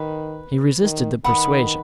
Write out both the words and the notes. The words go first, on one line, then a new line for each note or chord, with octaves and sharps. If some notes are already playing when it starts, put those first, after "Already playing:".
He resisted the persuasion.
Already playing: D#3 B4
D#3
D#3 B4 F#5 B5 D#6